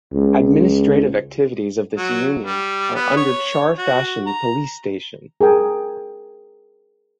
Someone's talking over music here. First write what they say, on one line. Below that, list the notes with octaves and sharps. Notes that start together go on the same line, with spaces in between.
Administrative activities of this union are under Char Fashion Police Station.
C#2
F#3
G3
B3
C#5
F#4
A#5
G#4 A#4 G5 G#5